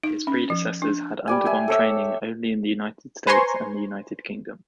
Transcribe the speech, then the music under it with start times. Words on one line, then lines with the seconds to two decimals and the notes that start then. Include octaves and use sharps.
His predecessors had undergone training only in the United States and the United Kingdom.
0.04 D#4
0.27 C#4
0.50 F3
0.82 D4
1.28 G3 D5 G#5
1.46 E5 G5 G#5
1.68 A4 C#5 E5
3.27 B4 C5 G#5 A#5 C6 C#6